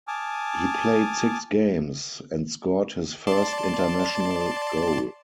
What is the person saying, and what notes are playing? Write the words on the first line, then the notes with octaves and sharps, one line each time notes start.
He played six games, and scored his first international goal.
G#5 A5 D6 D#6 F6
D5 A5 C6